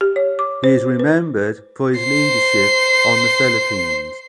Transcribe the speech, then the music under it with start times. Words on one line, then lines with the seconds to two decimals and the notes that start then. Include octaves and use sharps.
He is remembered for his leadership on the Philippines.
0.01 G4
0.16 C#5
0.39 D6
0.64 C5
1.00 B4
1.99 C5 C7